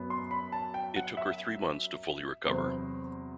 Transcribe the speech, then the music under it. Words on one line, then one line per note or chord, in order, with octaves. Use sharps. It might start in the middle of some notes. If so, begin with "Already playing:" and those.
It took her three months to fully recover.
Already playing: F#2 F#3 B3
C6
B5
A5
G5
F#5
E5
E2 C3 F#3 B3 C5